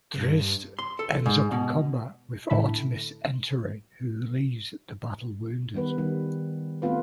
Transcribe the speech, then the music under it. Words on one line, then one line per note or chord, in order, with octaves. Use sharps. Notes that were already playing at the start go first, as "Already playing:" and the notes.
Drizzt ends up in combat with Artemis Entreri, who leaves the battle wounded.
G2
C6
A4
G#2
B2
A2 D3 E4 A4 B5
D#3 G3 B3 B4
D#3 G3
A3 B3 C4 F4 B4